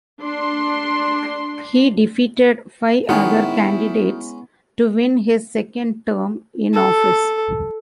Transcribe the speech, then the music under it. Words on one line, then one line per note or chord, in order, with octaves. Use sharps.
He defeated five other candidates to win his second term in office.
D4 C6
D#3 G#3 B3 C#4 E4
A4